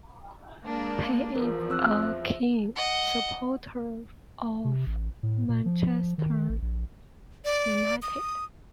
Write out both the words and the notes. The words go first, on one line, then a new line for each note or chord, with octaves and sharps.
He is a keen supporter of Manchester United.
G#3 A#3 D4
E2 F3 A#4
C4 E6 F#6
C5 E5
D#5 F#5
C3
A1
A2
A#2
F3
D#3
A1
A#1
D5
D#6